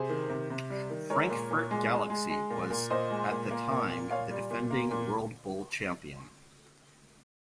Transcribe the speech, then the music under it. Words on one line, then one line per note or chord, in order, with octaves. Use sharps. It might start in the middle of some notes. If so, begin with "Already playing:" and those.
Frankfurt Galaxy was at the time the defending World Bowl champion.
Already playing: C3 G#4 C5
D#3
C3
C3
G3
D#3
G#3 A#4 C#5
A#2
A#2
G#3
G#3
G#3
G#3
A#2
A#2
A#2 C5 D#5
G#3
A#2
A#3
A#2
A#2
A#2 C#5 F5
G3
A#2
A#3
A#2